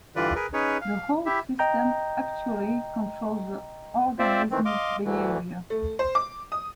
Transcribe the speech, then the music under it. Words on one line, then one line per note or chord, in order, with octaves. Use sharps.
The whole system actually controls the organism's behavior.
G2 D3 E3 F4 B4 D5
G#4 A#4 B4
C#4 D#4 G#4 B4 C#5
F5
E4 G4 E5
D#5 G5 A#5 G6
C4 F4 C5 D5 E5
D#3 E3 C4
D#5 F5 C6 D6
D2 D3 E3
A3
C5
D6
D#6